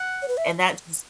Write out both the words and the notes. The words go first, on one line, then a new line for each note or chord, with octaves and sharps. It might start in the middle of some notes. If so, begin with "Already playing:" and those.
And that just
Already playing: F#5
C#5
B4
E5